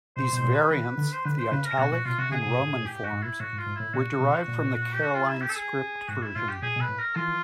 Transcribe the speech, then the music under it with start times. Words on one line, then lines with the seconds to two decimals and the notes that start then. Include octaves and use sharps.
These variants, the "Italic" and "Roman" forms, were derived from the Caroline Script version.
0.17 B2 C5
0.33 B2 C5
0.44 A#2
0.53 B4
0.71 D#3 B4
0.98 D3
1.13 C5
1.25 D3 B4
1.38 C5
1.51 C#3 B4
1.65 A#4
1.78 B2 F#4
1.91 A#2 F#4
2.05 B2 F4
2.18 C3 F#4
2.32 C#3 G#4
2.46 B2
2.59 A2
2.73 A#2
2.86 A2 G4
3.04 F#4
3.13 G#2
3.22 E4
3.40 A2 F#4
3.53 G#2
3.58 F4
3.66 G#2
3.76 A2 E4
3.93 A#2 F#4
4.20 B2
4.48 A#2
4.94 G4
5.01 F#4
5.14 F4
5.28 E4
5.41 G4
5.49 A4
5.55 G#4
6.09 G#2 F#4
6.22 E4
6.35 A2 F4
6.49 G4
6.62 A#2 G#4
6.76 B2
6.80 B4
6.89 A2
6.99 A#4
7.16 E3 F4